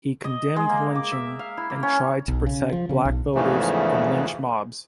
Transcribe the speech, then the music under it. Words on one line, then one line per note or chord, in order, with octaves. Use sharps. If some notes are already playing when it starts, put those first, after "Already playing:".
He condemned lynching and tried to protect black voters from lynch mobs.
D#5
G#3
A#3
D6
E5
F5
E4
A#3
C#4
B1
C#3
F3
C#3
B1
E2 G#2 C#3 E3 F3 A3